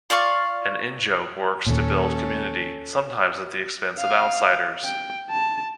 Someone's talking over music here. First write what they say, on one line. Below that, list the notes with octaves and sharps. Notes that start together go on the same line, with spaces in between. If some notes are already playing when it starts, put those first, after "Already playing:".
An in-joke works to build community, sometimes at the expense of outsiders.
F4 D5 F5 C#6
D#2 A#2 C#4 A4
F5
G5
A5